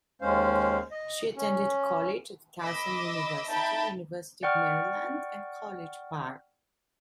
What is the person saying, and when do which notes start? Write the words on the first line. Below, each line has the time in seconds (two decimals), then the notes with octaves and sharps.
She attended college at Towson University, University of Maryland and College Park.
0.22 D#2 G#3 C#4 C5 F5
0.91 D#5
1.36 C#4
2.61 D#5 B5 D6 E6
3.49 D#4 E5 G5 A5 B5
4.43 D5 F#5 G5 C#6 F6